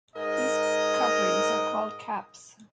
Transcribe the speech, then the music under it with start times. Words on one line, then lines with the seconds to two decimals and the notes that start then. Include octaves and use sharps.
These coverings are called "caps".
0.15 G#2 A#4 D#5